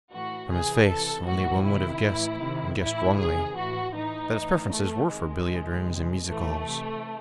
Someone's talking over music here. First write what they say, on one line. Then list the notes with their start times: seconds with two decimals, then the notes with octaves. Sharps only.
From his face only one would have guessed, and guessed wrongly, that his preferences were for billiard-rooms and music-halls.
0.12 A2 E3 F#4
0.50 C3 E3 G#4
0.88 C3 E3 A4
1.27 A2 E3 F#4
1.65 C3 D#3 E4
2.04 A2 E3
2.42 C3 D#3
2.80 A2 E3 E4
3.18 C3 D#3 G#4
3.56 A2 E3 F#4
3.95 A2 E3 D#4
4.33 A2 E3
4.71 A2 E3 A3
5.09 C3 D#3 G#3
5.47 C3 D#3
5.86 C3 D#3
6.24 A2 E3 A3
6.63 C3 E3